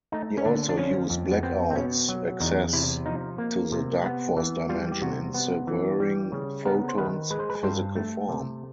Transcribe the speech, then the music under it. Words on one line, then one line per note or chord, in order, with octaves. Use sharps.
He also used Blackout's access to the Darkforce dimension in severing Photon's physical form.
A3 D#4
C#4
D3 D4
D4
F3 C#4
F2
B3
B3 C4
C4
B2 C#4
F#3
E2 D#4
C3 E4
F3 D#4
A#3
C3
B3
E3
G3 F4
G4
C3 F#4
B3
E3
G3
C#3
B3 A#4
C5
D#3 B4
G#3 B4
C5
B4
G2 C5
A3
C3